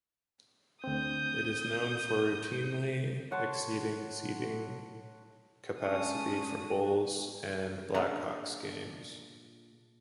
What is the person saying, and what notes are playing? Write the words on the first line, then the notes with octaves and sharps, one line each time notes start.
It is known for routinely exceeding seating capacity for Bulls and Blackhawks games.
D2 C4 D#6 G6
C#5 F#5 A5 C6
G#3 C#4 A5 D#6
F#4
A#2 D4 G#4 A#5